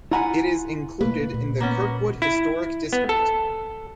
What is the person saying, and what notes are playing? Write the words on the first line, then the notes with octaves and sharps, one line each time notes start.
It is included in the Kirkwood Historic District.
E4 F4 F#5 G#5 A#5 B5
B2 A3 A#3 B4
A#2
A#3 B3 C#4
E4
B3
A4